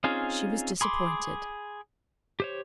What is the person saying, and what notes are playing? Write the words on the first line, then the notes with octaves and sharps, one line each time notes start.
She was disappointed.
C4 C#4 D#4 F4 G#4
G#4 B5 C6 D6
G4 C5 C#5